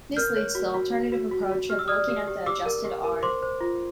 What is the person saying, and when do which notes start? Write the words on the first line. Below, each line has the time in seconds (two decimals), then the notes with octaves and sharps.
This leads to the alternative approach of looking at the adjusted "R".
0.17 A#4 F6 G6
0.36 C#5
0.55 F#4
0.74 F#4
0.94 F#4
1.12 F#4
1.31 F#4
1.51 F#4
1.70 G4 F6
1.79 E6
1.88 D5 D#6 F6
2.09 G4
2.27 G4
2.46 G4 D6 E6
2.66 A#4
2.85 G4
3.04 A#4
3.23 C5 C6 D6
3.43 C5
3.61 F4